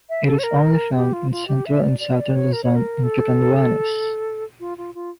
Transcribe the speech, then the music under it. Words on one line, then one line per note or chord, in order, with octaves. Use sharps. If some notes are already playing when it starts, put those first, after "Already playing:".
It is only found in Central and Southern Luzon and Catanduanes.
E5
A4
C#5
A#4
G4
F4
F4
G4
E5
D5
D5
D5
C#5
A#4
C#5
A#4
A4
F4
F4
F4